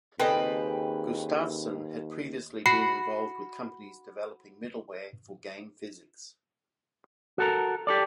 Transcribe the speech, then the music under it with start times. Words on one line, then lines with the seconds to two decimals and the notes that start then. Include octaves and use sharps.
Gustafsson had previously been involved with companies developing middleware for game physics.
0.20 D#2 C#3 C4 A4 B4 D#5 G5
2.66 F#4 B5 C7
7.38 F#4 A4 A#4
7.87 G4 A4 D5